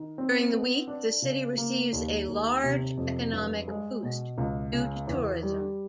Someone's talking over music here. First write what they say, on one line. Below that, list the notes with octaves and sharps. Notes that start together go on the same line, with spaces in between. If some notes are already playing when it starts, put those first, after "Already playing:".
During the week the city receives a large economic boost due to tourism.
Already playing: D#3
C4
B3
D4
C#3
A#3
D#2
D#2
C3
F2
G2
G#3
B2
C#2
C#3
E2
G3